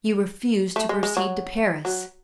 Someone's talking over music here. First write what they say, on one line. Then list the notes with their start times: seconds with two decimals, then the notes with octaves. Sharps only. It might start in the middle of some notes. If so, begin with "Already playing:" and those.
You refuse to proceed to Paris.
0.76 A3
0.89 G#3
1.03 G#3
1.17 F#3
1.85 F#3